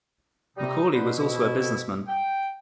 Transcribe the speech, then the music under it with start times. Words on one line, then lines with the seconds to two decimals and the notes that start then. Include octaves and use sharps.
MacAulay was also a businessman.
0.57 C3 G3 D#4
0.93 B2 D3 B4 C5
1.18 F2 E4
2.08 G5